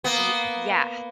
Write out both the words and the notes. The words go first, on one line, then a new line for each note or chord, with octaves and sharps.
Ye yeah.
A#3 B3